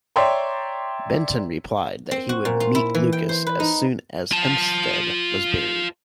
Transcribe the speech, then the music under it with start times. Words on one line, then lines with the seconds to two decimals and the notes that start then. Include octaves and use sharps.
Benton replied that he would meet Lucas as soon as Hempstead was buried.
0.16 C#5 D5 E5 G5 A#5 C6
2.11 C4
2.29 F#4
2.45 A#2
2.60 F4
2.75 E4
2.95 E3
3.13 G5
3.29 C5
3.47 B4
3.60 D#4
4.32 F4 A5